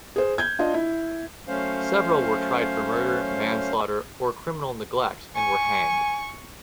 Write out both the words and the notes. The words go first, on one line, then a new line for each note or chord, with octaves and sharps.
Several were tried for murder, manslaughter, or criminal neglect and were hanged.
G#4 C5
G6 G#6
D4 F4 D#5
E4
F#3 A3 C#4 C5 F5
G#5 C#6